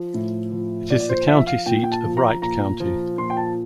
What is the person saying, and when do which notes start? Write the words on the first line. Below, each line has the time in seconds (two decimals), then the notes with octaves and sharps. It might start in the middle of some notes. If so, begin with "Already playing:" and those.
It is the county seat of Wright County.
Already playing: F3
0.14 A2
0.52 F3
0.90 A#2 D5
1.00 D5
1.09 C5
1.28 F3 E5
1.47 F5
1.66 A#2 G5
1.83 G5
1.92 A5
2.04 F3
2.17 A#5
2.42 A#2 A#5
2.80 F3
3.18 A#2 C6
3.30 G5
3.37 A5